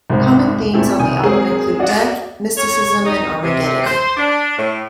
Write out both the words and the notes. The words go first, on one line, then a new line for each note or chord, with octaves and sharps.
Common themes on the album include death, mysticism, and armageddon.
C2 G#2 C5
A#2 A3 C4 E4 G4
C2 D#3 G#5 D#6
G#3 C4 G#4 A#4 C5
F#4 D5 D#5 F5 F#5
C#5
D#4
C3
C5
D4
A2